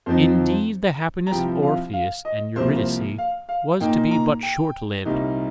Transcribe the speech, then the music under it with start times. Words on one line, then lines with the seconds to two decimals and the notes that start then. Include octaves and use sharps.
Indeed the happiness of Orpheus and Eurydice was to be but short-lived.
0.06 F2 F3 C4 D#4 C5
1.27 A#5
1.31 C2 C3 F3 G5
1.62 F5
1.93 F5
2.25 D#5
2.56 C2 C3 F3 A#3 C5
2.76 C5
3.18 F5
3.49 F5
3.80 A#2 A#3 D#4 G5
4.11 A#5
4.43 G5
5.05 C2 A#2 G3 A#3 D#4